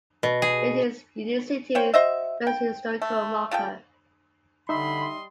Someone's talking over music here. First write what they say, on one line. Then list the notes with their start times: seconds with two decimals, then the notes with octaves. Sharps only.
It is Union City's first historical marker.
0.23 B2
0.42 G#4
1.75 C5 C#5 F5 G5
1.94 F#4 C5 D#5 E5
2.47 G5
3.02 A3
3.51 C#3 F4 A4 G5
4.69 D3 G3 D#4 D#5 E5 B5 C6